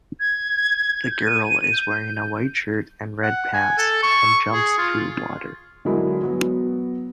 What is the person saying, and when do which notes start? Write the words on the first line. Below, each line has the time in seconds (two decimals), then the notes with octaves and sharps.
The girl is wearing a white shirt and red pants, and jumps through water.
0.20 G#6
1.10 G6
1.27 D#7
1.72 G6
3.23 F#5
3.54 G#5
3.78 A4
4.03 C#6
4.54 G#4
4.78 F4
5.85 D3 F#3 G#3 E4 F#4 A#4
6.23 F#3 B3